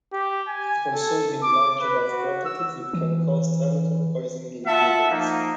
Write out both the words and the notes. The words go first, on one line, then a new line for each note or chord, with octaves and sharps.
If consumed in large enough quantities, it can cause tremetol poisoning in humans.
G4
G#5
A4
D6
B4
F#4
E6
E3
F4 E5 F#5 A5
F3 A#3 D#4